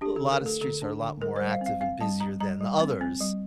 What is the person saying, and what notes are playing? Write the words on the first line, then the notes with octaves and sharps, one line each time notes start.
a lotta streets are a lot more active and busier than the others,
D4 G4
D3 A4
A#4
A3
A4
D3 A4
D4
D3
G3 A#4
G3 C5
F5
C4
F5
C4 F5
G3 A5
G3 A#5
G3 A#5
G3
C4
C4
G3